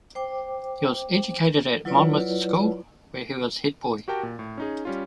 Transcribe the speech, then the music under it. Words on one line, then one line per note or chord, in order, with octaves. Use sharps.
He was educated at Monmouth School, where he was head boy.
C5 G5 D6
F#3 E4 F4 B4 C#5 D5
F#4 G4 A#4 G5 A5
A#2
A2
C#4 D#4 G#4
G3 C#4 F4